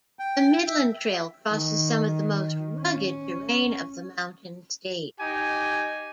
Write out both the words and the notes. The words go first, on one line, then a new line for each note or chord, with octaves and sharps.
The Midland Trail crosses some of the most rugged terrain of the Mountain State.
G5
E5
D#3
C#4
D#4 G4 G#5